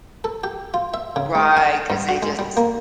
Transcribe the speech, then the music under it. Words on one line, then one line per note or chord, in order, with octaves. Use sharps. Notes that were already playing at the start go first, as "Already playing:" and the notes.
Right, 'cause they just
A4
G4
F4
E5
C#3
G#3
G#5
G2
F#4
G#3
G3
A#3